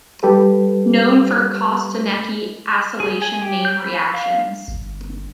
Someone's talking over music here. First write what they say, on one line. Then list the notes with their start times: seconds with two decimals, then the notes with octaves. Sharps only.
Known for Kostanecki acylation name reactions.
0.23 G3 G4 A4 B4
3.00 G#4
3.22 G#5
3.42 G4
3.65 G6
3.80 B5
4.14 F5
4.68 G1